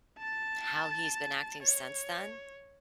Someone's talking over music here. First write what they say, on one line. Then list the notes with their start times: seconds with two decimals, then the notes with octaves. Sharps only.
how he's been acting since then.
0.18 A5 A6
1.62 C#5